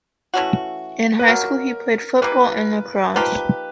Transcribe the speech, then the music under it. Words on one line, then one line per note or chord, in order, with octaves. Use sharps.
In high school he played football and lacrosse.
E3 A3 C#4 F#4
B4
B2 F#3 A#3 A#4
E3 G3 A#3 B4
F3 A#3 D#4 G4 B4